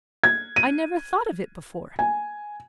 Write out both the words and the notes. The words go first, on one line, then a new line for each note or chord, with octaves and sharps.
I never thought of it before.
G#6
D#7
G#5